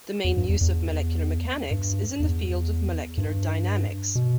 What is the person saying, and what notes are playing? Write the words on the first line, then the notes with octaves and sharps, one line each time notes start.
The main use of molecular mechanics is in the field of molecular dynamics.
E2
G2
E2
E2
G2
E2
G2
B2